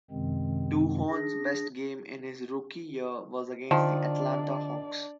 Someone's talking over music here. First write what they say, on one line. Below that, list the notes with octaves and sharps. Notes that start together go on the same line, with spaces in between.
Duhon's best game in his rookie year was against the Atlanta Hawks.
F#2 C3 D#3 G#3 C4
D4 G#4 A#6
D3 D#3 F3 D4 D5